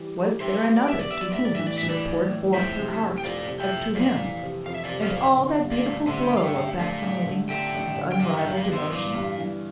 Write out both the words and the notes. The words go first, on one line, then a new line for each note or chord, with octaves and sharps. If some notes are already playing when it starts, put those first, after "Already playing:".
Was there another to whom she had poured forth her heart as to him, and all that beautiful flow of fascinating and unrivalled emotion?
Already playing: E3 G3
G3
G3 C5 E5
B3
D5
B3 E5
D5
B3 E5
D5
A2 E5
D5
E3 E5
D5
E5
E3
B4 D5
E3
A2
F2 C5 E5
C3
C3
G5
F2 D5 F5
C3
E5 G5
F2
F2 D5 F5
E3
C3
F2 F5
E5
D5 F5
C3
D5 F5
F2
D3
G2
D5 F5
A3
D3 C5 E5
G2
F5
E5 G5
G2
A3 D5 F5
A1
D3
A3 E5 G5
A1
D3
G5
G2 D5 F5
E5 G5
G2
D5 F5
B3
C5 E5
E3 D5 F5
G2
E3